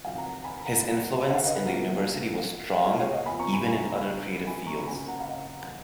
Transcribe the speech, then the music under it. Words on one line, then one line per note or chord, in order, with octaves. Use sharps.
His influence in the university was strong even in other creative fields.
F2 D#3 F#3 F5 G#5
F#5 A#5
G#5 B5
B5
F#5 A#5
D#5 F#5
C#5 F5
B4 D#5
G#4 B4
A#2 F3 B3 F#4 A#4
F#4
F4 G#4
C#5 F5
D#5 F#5
F2 F3 B3 G#5 B5
A#5 C#6
G#5 B5
G#5 B5
G#5 B5
A#5 C#6
C#3 F#3 A#3 G#5 B5
F#5 A#5
F5
D#5 F#5